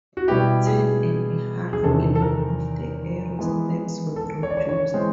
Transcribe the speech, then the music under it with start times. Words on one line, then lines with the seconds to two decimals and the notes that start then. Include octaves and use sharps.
Ten and a half billion of the error stamps were produced.
0.17 F#4
0.28 B2 G3 B3 E4 G4
0.67 G#4
1.73 G#4
1.83 E2 C3 D#3 A4
2.15 A4
2.22 A#4
3.39 E3 G#3 B3
4.16 A4
4.43 C#5
4.50 D5
4.57 C#5
4.69 C#5
4.94 E3 G#3 C4